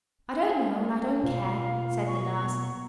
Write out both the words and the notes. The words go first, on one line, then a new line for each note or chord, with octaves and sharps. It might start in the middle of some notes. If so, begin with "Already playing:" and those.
"I don't know and I don't care," said the nurse.
B2 A3 A#3 F4 F5
B3 C#6